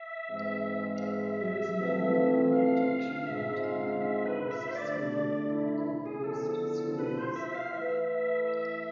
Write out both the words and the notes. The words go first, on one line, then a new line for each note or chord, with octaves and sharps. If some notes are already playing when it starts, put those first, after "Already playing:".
There is no known protection of the term "forest school" or "forest schools".
Already playing: E5
G#2 E3 G#3 C4 G#4
F5
E5
E5
E3 A3 C4 F4 B4
F5
G#2 G#3 C4 F4 G#4 E5
F5
E5
B4
E5
C5
D3 A3 D4 D5
E4
E4
G#4
D3 F3 B3 E4 A4
B4
C5
E5
F5
E3 A3 E4 B4 E5
E5